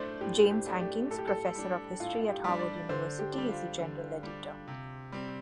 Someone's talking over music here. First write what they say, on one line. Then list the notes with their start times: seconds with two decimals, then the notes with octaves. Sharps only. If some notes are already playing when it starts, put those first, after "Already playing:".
James Hankins, Professor of History at Harvard University, is the General Editor.
Already playing: A2 A3 D4 C5 D5
0.21 A2 G4
0.51 G4
0.66 A3 D4
0.81 G4
1.11 A2 A4
1.18 G4
1.27 A4
1.55 G3 D4
2.00 A2 F4
2.21 F4
2.30 G4
2.44 G3 D4
2.59 D5
2.89 D3 C5
3.19 G4
3.33 G3 D4
3.49 F4
3.79 D3
4.23 G3 D4
4.68 C3
5.12 G3 C4